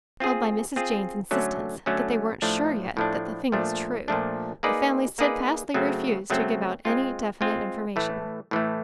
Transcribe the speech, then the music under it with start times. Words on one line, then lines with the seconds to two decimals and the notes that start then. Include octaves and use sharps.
Held by Mrs. Jane's insistence that they weren't sure yet that the thing was true, the family steadfastly refused to give out any definite information.
0.20 C4 F4 G#4
0.76 C4 F4 G#4
1.31 D3 F#3 A3 C#4
1.86 D3 F#3 A3 C#4
2.42 A2 F3 A3 D4
2.97 A2 F3 A3 D4
3.52 A#2 F3 A3 D4
4.08 A#2 F3 A3 D4
4.63 A#3 D#4 G#4 B4 D5
5.19 A#3 D#4 G#4 B4 D5
5.74 C#3 F#3 A3 C4
6.30 C#3 F#3 A3 C4
6.85 G#3 C4 F4
7.41 G#3 C4 F4
7.96 A2 E3 A3
8.51 A2 E3 A3